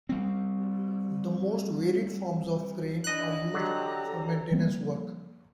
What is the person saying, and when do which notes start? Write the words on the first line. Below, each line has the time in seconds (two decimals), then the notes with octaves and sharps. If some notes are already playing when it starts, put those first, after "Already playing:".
The most varied forms of crane are used for maintenance work.
0.09 G3 C4
3.04 D4 E4 D#5 F#6
3.54 D3 F#3 G4 A4 A#5
4.51 F3 G3 A#3 C4